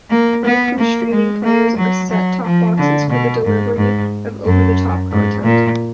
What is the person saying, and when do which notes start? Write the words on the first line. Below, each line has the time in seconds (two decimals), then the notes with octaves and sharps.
Roku Streaming Players are set-top boxes for the delivery of over-the-top content.
0.11 A#3
0.45 B3
0.78 A#3
1.11 G#3
1.44 A#3
1.78 F#3
2.11 F#3
2.44 F3
2.78 D3
3.10 B2
3.45 G#2
3.77 G#2
4.45 F#2
5.11 G#2
5.44 A#2